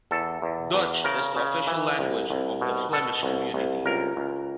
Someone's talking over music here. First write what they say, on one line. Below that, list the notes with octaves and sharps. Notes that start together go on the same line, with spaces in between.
Dutch is the official language of the Flemish Community.
E2 A4
E2
E2
C#3 A#4
C#3
E3
C2
C2
B2
B2 A4
C2
C2
C#2 A#4
C#2